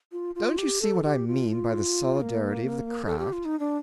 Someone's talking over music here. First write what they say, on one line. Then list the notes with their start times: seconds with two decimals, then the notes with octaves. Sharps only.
Don't you see what I mean by the solidarity of the craft?
0.12 F4
0.35 F4
0.58 G4
0.82 A4
1.04 G4
1.27 F4
1.51 F4
2.20 A#3
3.05 A4
3.19 G4
3.33 F4
3.45 D#4
3.60 D4